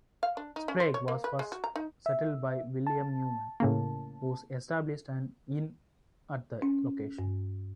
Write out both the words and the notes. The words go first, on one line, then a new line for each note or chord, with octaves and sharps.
Sprague was first settled by William Newman, who established an inn at the location.
F5
D4
D#4
C#4
C5
C#5
A#3
B4
G#3
F#4
A#5
D#4
E5
A5
A2 C#3 A#3
C#4
G2